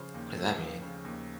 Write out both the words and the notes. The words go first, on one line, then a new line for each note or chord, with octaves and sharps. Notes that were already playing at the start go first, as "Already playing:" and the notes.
What does that mean?
Already playing: C#3 F3 C5
D#2
A3
F3
C#3
D#2